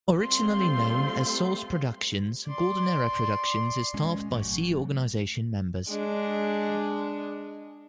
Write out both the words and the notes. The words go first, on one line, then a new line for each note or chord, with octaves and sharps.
Originally known as Source Productions, Golden Era Productions is staffed by Sea Organization members.
G3 A3 C4 F4 C6
D5 C6
A#2 G#3 C#4
G#1 E3 F#3 A3
G#3 D4